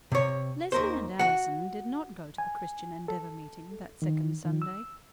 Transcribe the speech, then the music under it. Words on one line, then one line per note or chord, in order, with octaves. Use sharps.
Leslie and Allison did not go to the Christian Endeavor meeting that second Sunday.
C3 C#5
D#2 A#4 C5
F#4 F#5
G#5
A4
D#3
D#3
E6